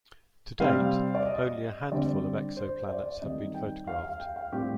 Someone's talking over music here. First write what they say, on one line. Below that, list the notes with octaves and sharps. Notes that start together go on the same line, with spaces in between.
To date, only a handful of exoplanets have been photographed.
C3 G3 C4 F5
D5
D#5
D3 G3 C4 D5
C5
D5
D#3 G3 C4 D#5
G5
F5
F5
G5
F5
A2 G3 C4 G4